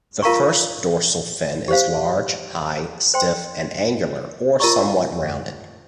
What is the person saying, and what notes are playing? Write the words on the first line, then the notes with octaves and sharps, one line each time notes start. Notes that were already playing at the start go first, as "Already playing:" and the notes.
The first dorsal fin is large, high, stiff, and angular or somewhat rounded.
F4 A#4 F5 A#5 C#6
G4 C5 F5
C5 G5 C6
F4 A#4 D#5 A#5 C#6